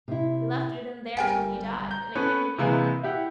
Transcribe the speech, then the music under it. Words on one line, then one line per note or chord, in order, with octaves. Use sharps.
He left it in there till he died, and it came to me.
C3 E4
G1 G3 A#4 G5 G#5
A#5 G6
B3 C#4 A4 B4 C#5
C3 E3 G#3 A#3 B3
E4 G4 F#5